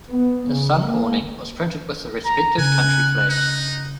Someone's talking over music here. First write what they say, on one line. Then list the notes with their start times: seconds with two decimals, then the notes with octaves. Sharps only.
The sun awning was printed with the respective country flags.
0.10 B3
0.50 C#3
0.84 A#3
2.25 A#5
2.58 C#3 G#5 F#6
3.30 D#4